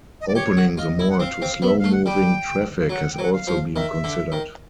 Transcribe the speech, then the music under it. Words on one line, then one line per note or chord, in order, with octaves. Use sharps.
Opening the mall to slow moving traffic has also been considered.
D#5
D5
G4 C#5
F#4
F4 D#5
E4
F#5
C4 F5
C4
B3
E5
F5
A3
F#5
G3 G5
F5
F#3 F#5
G5
F#3
F#5
F5
F3
D#3 E5
D3
D#3